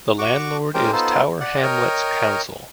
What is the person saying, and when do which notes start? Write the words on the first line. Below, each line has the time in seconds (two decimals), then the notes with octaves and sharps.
The landlord is Tower Hamlets Council.
0.19 F#4 C#6 D6
0.74 G#3 C#4 G4 A#4 C5 G5
0.93 B3 D#4 F4 A4 C5
1.41 D5 F#5
1.63 A#4 C#5 D#5 G5 F6